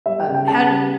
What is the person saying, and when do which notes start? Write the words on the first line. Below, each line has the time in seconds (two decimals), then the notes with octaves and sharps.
but, how d
0.06 G3 E5
0.20 G5
0.27 C#3
0.34 G5
0.48 C#3 A5
0.69 G3